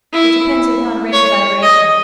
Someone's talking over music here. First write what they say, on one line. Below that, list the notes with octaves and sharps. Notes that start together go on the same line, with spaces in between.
It depends upon rate of vibration.
E4
C#5
D#5